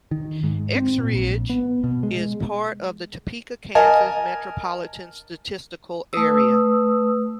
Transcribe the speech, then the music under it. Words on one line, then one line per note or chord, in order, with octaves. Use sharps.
Eskridge is part of the Topeka, Kansas Metropolitan Statistical Area.
D#3
G#2
C4
A#2
A#1
B3
B2
G#3
A#4 D#5 G#5 A5
A3 B4 D#6 E6